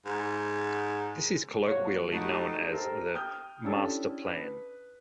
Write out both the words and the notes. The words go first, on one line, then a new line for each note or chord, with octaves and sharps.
This is colloquially known as the "Master Plan".
G#2
F#3 G3 A#3 F#4 C#5
A3 D#4 E4 F#4 G4 A4 D#5 A5
G4 A4 A#4 C5
G5 D#6 F6 G6
C#4 D4 E4 G4 A4
B4